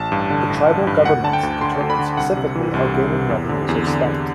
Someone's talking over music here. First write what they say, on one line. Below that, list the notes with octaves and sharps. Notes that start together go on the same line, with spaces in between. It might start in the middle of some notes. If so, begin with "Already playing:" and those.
The tribal governments determine specifically how gaming revenues are spent.
Already playing: A1 A5
G2
D3
A1
A1
G2
D2 F#5
D3 A5
G5
D2
D3 C6
D2
B5
D3
C2 F#5
C3
E3
C2
C2
C3
E2
D3
E2
D3
E2